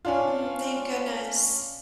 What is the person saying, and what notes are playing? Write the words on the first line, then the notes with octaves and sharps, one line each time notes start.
Mm, thank goodness.
C#4 D4 F4